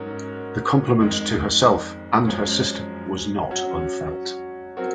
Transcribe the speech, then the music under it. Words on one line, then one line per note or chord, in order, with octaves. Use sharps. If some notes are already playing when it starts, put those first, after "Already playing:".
The compliment to herself and her sister was not unfelt.
Already playing: G#2 F#3 C#4 F#4 A#4
F2 D#3 G#3
F#2 F3 G#3 C#4
F#3 C#4 F#4
F#3 C4 F#4 A#4